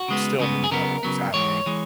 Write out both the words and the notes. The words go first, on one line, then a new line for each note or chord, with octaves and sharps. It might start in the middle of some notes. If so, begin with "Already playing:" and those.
still didn't know what was happening.
Already playing: F#4
C#3 G#3 B3
C#3 G#3 B3
G#4
C#3 F#3 B3 A#4
C#3 F#3 B3
G#2 E3 G#3 C#5
E3 G#3